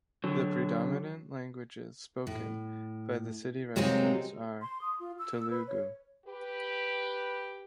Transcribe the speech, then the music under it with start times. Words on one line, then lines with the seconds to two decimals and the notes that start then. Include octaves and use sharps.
The predominant languages spoken by the city residents are, Telugu.
0.24 D3 F#3
2.27 A2
3.76 C3 F#3 G#3 A#3 C4 D#4
4.61 C6
4.81 D#6
5.00 F4
5.19 E6
5.51 B4
5.67 C#5
6.26 G4 B4